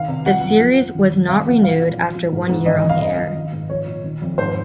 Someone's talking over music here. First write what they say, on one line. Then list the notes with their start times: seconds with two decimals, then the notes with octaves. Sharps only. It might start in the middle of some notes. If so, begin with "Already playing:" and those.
The series was not renewed after one year on the air.
Already playing: D#3 F5
0.08 C3
0.26 F3 F#5
0.43 F#2
0.60 F3
0.77 F3
0.95 D#3
1.12 F#2
1.29 C3 F5
1.47 F2 F#5
1.63 F3 F5
1.81 A#2
1.97 F3
2.15 F3
2.32 G#2
2.49 G#2
2.66 D#3 D#5
2.83 D#3
2.89 F5
3.01 F#2 D#5
3.18 F3
3.35 D#3
3.53 G#2
3.70 F3 C#5
3.87 A#2
4.04 D#3
4.22 F2
4.38 G#2 C5